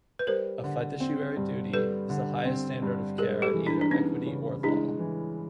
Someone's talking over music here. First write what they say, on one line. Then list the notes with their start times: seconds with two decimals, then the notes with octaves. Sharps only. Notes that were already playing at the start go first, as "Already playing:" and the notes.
A fiduciary duty, is the highest standard of care at either equity or law.
0.19 B4
0.27 G3 A#4 C5
0.64 D3
1.00 C4
1.37 G2
1.74 G3 A4 B4
2.10 D3
2.45 C4
2.82 G2
3.18 G#3 G#4 A#4
3.42 G4 A4
3.54 E3
3.67 D4 E4
3.81 D4
3.90 B3 C#4 D#4
4.26 C#3
4.63 G#3 D4 E4
4.99 E3